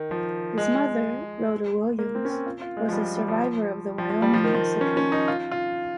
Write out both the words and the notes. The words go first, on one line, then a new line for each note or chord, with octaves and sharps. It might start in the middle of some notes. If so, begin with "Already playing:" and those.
His mother, Rhoda Williams, was a survivor of the Wyoming Massacre.
Already playing: D#3
F3
G#3
A#3
C4
C#4
C4
F4
F4
G#3
F3
G3
F3
G3
F3
F3
F3
G3
F3
D#3
F3
C#4
C#4
D#4
F4
F4